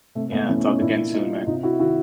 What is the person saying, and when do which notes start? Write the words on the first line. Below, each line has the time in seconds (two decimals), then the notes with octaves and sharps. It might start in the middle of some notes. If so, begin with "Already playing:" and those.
Yeah, talk again soon, man.
0.15 C3 A3
0.32 A3 B3
0.48 E3 B3 C#4
0.65 C#4 D#4
0.81 A#2 D4 E4
1.13 D#4 F4
1.47 C3 D#4 F4
1.63 E4 F#4
1.79 D#3 E4 F#4